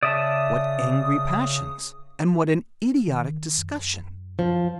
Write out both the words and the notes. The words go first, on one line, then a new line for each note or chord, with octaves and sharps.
What angry passions--and what an idiotic discussion!
C#3 D5 E5 A5 D#6
D#3
F#2
F3